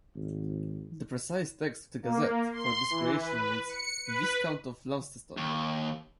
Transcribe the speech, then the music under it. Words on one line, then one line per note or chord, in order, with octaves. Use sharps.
The precise text of the Gazette, for this creation reads "Viscount of Launceston".
G#1
A#3
C6
E3
B4
C#7
B4
D#2